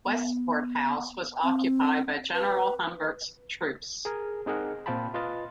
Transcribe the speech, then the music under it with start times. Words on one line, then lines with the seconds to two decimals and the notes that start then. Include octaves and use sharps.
Westport House was occupied by General Humbert's troops.
0.05 B3
1.43 C4
2.35 B4
4.05 G#4 A#4 G#5
4.46 C4 D#4 G#4 A#4 F#5
4.86 A#2 C4 F4 G5 A5 B5
5.14 F4 B4 D#5 A6